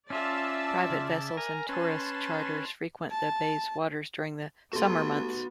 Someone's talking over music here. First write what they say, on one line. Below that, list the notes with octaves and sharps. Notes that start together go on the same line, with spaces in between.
Private vessels and tourist charters frequent the bay's waters during the summer months.
C#4 F4 D5 E5 A5
C#3
A#4 G#5 A#5
C#4 B4 A5 C6
A5
A3 B3 F#4 G4 A4 C6